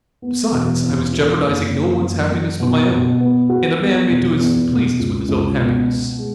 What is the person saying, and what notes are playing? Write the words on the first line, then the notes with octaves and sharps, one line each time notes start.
Besides, I was jeopardising no one's happiness but my own, and a man may do as he pleases with his own happiness.
B3
E1
E2
E3
F#1
F#1
F#2
F#3
B2
B2
B3
F#4
B3
E1
E2
B2
C#2
C#2
B2
B3
G#3